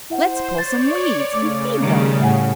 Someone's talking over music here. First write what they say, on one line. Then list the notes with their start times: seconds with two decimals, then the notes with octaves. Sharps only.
"Let's pull some weeds and feed them."
0.10 E4 C5 E5 F#5
0.58 C#5 D5 A6
1.33 C#3 A3 D6
1.80 D#3 G3 A3
2.20 A2 E5 F#5 G#5